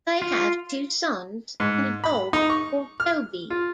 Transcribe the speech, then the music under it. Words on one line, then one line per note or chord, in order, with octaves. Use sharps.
They have two sons, and a dog called Toby.
F4
G#2
B5
D#4
C#6
F6
F4